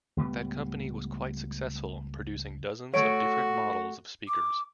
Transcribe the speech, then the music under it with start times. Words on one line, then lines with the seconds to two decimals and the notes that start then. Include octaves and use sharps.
That company was quite successful, producing dozens of different models of speakers.
0.17 C#2 A2 G3 B3
2.94 A3 F#4 C#5 D7
4.27 D6